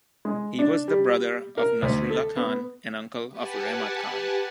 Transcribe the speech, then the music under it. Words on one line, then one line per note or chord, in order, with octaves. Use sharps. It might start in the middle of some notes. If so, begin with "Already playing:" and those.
He was the brother of Nasrullah Khan and uncle of Rehmat Khan.
G#3
D4
G3
A#4
D2
A4
B3
G4 B4 F#5 G#5 A5